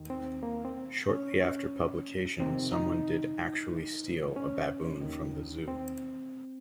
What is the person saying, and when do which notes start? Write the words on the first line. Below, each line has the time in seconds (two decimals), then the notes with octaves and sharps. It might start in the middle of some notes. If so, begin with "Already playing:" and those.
Shortly after publication someone did actually steal a baboon from the Zoo.
Already playing: D#2 D#3
0.10 C4
0.43 A#3
0.64 C4
1.09 C#4
1.41 C#4
2.39 F2 C3 D#3 C4
2.72 D#4
4.36 C#4
5.01 D#2 D#3
5.68 C4